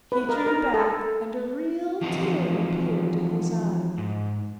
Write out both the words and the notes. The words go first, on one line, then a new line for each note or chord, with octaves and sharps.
He drew back and a real tear appeared in his eye.
B4
A#4
A#4
A4
E3 F3 C4 D#4 F4 F#4
G#2